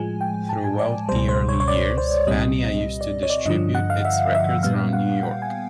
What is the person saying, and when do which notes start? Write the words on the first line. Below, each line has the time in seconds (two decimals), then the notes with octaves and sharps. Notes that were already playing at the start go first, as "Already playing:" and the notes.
Throughout the early years, Fania used to distribute its records around New York.
Already playing: A2 F3 G#3 G#5
0.21 G5
0.49 A5
0.64 G#5
0.79 D5
1.08 C#2 B2 G3 C5
1.29 C5
1.49 C#5
1.60 C#5
1.68 D5
1.98 C5
2.27 C2 A#2 G3 C4 D#5
3.01 D5
3.23 C#5
3.30 D5
3.46 G2 D3 F3 D#5
3.75 F#5
3.90 F5
4.05 E5
4.35 E5
4.63 A#2 G3 B3 F5
4.93 F#5
5.23 G5
5.42 G#5